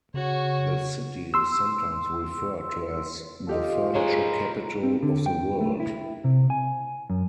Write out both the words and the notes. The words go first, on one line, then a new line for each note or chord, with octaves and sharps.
The city is sometimes referred to as the "Furniture Capital of the World".
C#3 F#4 C#5
C6 E6
D#4 F4 G4 A4
G#4 A#4 C5 C#5
C4
D3
G5
A3
E4
C3
G#5
F#2